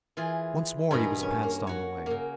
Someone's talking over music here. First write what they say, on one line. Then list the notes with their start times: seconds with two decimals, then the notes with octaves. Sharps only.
Once more he was passed on the way.
0.17 E3 F4 G#4
0.91 G2 B2 G#4 A#4 A#5 B5
1.23 C#4
1.43 A#3
1.67 F#4 C#5
2.06 C#3 A#3